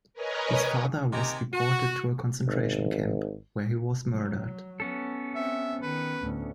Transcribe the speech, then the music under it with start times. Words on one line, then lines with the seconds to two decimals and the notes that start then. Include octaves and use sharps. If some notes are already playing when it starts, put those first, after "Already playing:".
His father was deported to a concentration camp, where he was murdered.
0.14 A#4 B4 C#5 D#5 G#5 A#5
1.11 C3 D#3 G4 D#5 G#5 A#5
1.53 F#4
2.47 G#1
4.12 F#3
4.80 B3 C#4 A4
5.35 C4 E5
5.82 D#3 B4
6.22 D2 A2